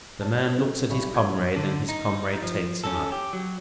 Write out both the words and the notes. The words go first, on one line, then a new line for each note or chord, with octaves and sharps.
The man looks at his comrade, and his comrade takes him up.
C#5 A5
C4 C#4 A4 C5
B1 G3 E5 B5 C#6
F#3 B3 G#6
D3
D#4
F3
C#4 A4
G4
F#3